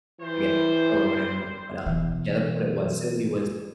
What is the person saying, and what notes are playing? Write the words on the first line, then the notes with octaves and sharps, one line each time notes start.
again, grow or whatever, but, um, yeah, that's what it was, Sylvie was
E3 G3 C5
B2 E3